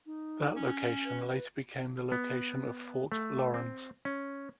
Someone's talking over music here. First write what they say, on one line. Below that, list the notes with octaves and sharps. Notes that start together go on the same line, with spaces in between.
That location later became the location of Fort Laurens.
D#4
C#4
B4
B3
A3
C4
C#4